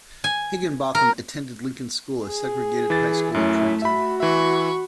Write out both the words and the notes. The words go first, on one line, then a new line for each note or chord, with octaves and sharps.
Higginbotham attended Lincoln School, a segregated high school in Trenton.
G#5
A#4
G#4
E3 A6
F#2 A3 C#4 E4
F#4 E5 B5
E3 E5 B5 C#6